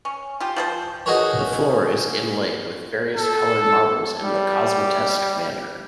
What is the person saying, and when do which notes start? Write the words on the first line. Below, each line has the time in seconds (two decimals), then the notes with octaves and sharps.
The floor is inlaid with various colored marbles in the Cosmatesque manner.
0.05 C#4
0.40 F4 G4
0.56 F3 G#4 C5
1.06 D#4 F#4 G#4 A#4 B4 C#5
3.16 A4
4.23 G3